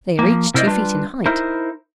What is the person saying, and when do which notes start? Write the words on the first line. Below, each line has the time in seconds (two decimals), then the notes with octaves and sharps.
They are each two feet in height.
0.19 F3 A#3
0.54 C3 E4 A#4 C5 D5 D#5
0.67 G3 D4 F4 B4
1.26 D#4 E4 A#4 C5